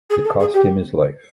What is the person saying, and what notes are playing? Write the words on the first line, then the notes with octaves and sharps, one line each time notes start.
It cost him his life.
G#4
A4
G#4
G4